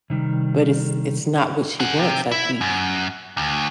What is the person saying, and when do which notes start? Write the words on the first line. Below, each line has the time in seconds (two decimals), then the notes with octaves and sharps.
but it's it's not what she wants, like, we
0.10 C3 D#3 G3
1.80 G#4 F#5
1.98 C3
2.32 E4
2.61 F#2
3.37 D2